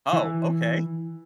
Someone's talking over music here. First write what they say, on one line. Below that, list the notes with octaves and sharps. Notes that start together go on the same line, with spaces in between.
Oh, okay.
E3